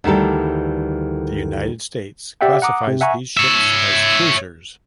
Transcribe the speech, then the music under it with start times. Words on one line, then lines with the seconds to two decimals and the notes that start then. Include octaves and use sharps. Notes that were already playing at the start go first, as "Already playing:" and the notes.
The United States classifies these ships as cruisers.
0.04 D2 D#3 E3 G3 A4
2.41 G4 D5 E5 F#5 G5
2.62 F#5 A#5 D6 D#6
2.87 C3
3.01 E5 F#5 G#5 A#5 C#6
3.37 C#5 E5